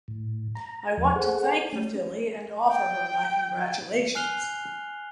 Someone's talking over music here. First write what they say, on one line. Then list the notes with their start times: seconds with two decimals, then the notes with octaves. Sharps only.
I want to thank the filly and offer her my congratulations.
0.08 A2
0.55 A#5
0.97 E2 F3
1.16 G#4 A4 C5 F#5
1.72 A3 C#4
2.70 G5
4.15 G#5 F6 F#6 C7 F7 G7